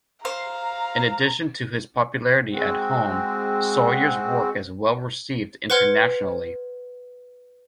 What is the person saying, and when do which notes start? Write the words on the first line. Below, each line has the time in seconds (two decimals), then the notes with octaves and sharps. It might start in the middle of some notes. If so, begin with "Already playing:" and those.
In addition to his popularity at home, Sawyer's work is well received internationally.
0.25 C5 F5 A#5
2.52 G#3 C4 F#4
5.70 B4 C5 F#5 C6 F6 G#6